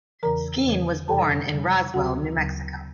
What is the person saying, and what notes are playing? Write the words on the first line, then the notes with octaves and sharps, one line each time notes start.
Skeen was born in Roswell, New Mexico.
E2 C#3 E3 A#4 A#5
E2 C#3 E3
F2 C3 E3 G3 A4 A5
F2 C3 E3 G3
D2 C#3 F#3 F#4 F#5
D2 C#3 F#3